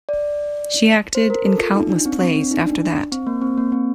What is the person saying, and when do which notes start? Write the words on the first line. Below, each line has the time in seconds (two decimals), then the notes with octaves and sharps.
She acted in countless plays after that.
0.09 D5
1.15 C5
1.30 A#4
1.45 A4
1.60 F4
1.76 D#4
1.90 D4
2.06 C4
2.21 C4
2.36 D4
2.51 D#4
2.66 D4
3.12 C4
3.27 A#3
3.41 C4
3.58 A#3
3.72 C4